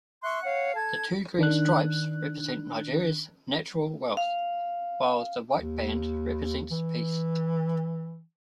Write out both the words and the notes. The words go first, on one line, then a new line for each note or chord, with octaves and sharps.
The two green stripes represent Nigeria's natural wealth, while the white band represents peace.
E5 C6 C#6 F#6
C#5 F5 F#5
A4 A5 G#6
D#3 D4 F#6
F5
D#2
E3